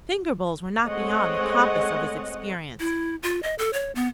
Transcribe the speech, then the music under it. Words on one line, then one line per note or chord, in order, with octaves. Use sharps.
Finger-bowls were not beyond the compass of his experience.
G#3 A3 C4 C#5 D#5 F#5
E4
F4
D#5
A4
C#5
B3